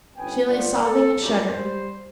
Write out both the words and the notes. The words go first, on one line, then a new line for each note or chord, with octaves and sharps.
She lay sobbing and shuddering.
G1 B3 C#4 G5 G#5
G1 F4 C5 D5 F#5
A4
A#1 F#2 C#3 F#3 G3
G3 C5